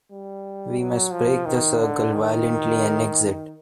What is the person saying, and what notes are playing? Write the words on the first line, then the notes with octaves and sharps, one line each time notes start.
We must break the circle violently and exit.
G3
F#3
F3
D#3
D3
D#3